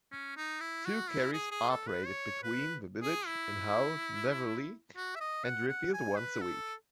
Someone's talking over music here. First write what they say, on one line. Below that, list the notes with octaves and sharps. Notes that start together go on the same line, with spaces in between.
Two carriers operated between the village and Hull, Beverley, and Driffield once a week.
C#4
D#4
E4
F#4
E4
G#4
G#4
A4
B4
C#5
B4
G#4
E4
F#4
E5
D#5
F#5
F#5
G#5
B4
A4